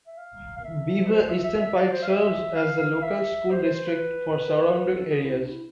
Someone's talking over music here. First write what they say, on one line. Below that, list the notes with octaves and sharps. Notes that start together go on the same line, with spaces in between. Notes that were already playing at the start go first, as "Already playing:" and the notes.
Beaver Eastern Pike serves as the local school district for surrounding areas.
E5
F5
F5
E5
B4
C5
E5
E5
E5
D5
C5
F5
E5
F5
F5
E5
C5
C5
C5
B4
A4
G#4
E4
D4
E4